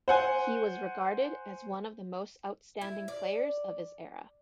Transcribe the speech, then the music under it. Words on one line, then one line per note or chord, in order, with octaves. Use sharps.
He was regarded as one of the most outstanding players of his era.
C5 F#5 G#5
E4
D5